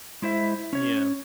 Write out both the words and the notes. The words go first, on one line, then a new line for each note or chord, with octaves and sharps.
N yeah.
G#3 E4 C5 E5
C#4 C#5